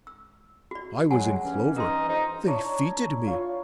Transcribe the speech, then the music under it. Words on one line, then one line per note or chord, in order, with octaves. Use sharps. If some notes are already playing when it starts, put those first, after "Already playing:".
I was in clover. They fêted me.
E6
F#4 D5
C#3 F#3 G#3 F#5 G#5 A5
G2 E3 C#4
D#4 A#4 C6
F2 D#4 C5 D#5
D4 E4 C#5 A#5
F4 C#5